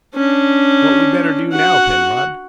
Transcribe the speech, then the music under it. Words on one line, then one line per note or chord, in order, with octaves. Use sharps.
"What we better do now, Penrod?"
C#4 D4
F#4 F#5